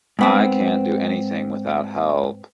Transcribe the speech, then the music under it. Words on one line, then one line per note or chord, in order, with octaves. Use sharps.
I can't do anything without help.
G#2 B3 C4